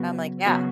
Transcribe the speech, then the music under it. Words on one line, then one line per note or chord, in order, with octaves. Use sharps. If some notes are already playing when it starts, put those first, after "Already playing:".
I'm like, "Yeah."
Already playing: C#3 F#3 B3 F#4
C#3 F#3 B3 F#4